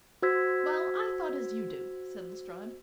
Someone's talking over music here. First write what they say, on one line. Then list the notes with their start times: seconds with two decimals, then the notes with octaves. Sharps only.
"Well, I thought as you do," said Lestrade.
0.22 F#4 C5 E6 G#6 B6